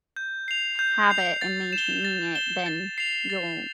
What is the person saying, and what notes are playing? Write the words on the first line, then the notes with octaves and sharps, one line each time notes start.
habit, and maintaining it, then you'll,
G6
C7 F7
G6
C7 F7
A6
E7
G7
A6
E7 G7
A6
C7 F7
A6